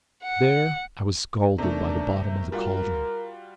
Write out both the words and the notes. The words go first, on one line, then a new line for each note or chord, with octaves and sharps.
There I was scalded by the bottom of the caldron.
F#5
C3 D#3 A3 D4
G3 F4 F#4 A#4